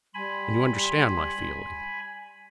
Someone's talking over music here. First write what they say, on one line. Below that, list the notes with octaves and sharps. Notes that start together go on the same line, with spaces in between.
"And you understand my feeling?"
G3 G#5 B5 C6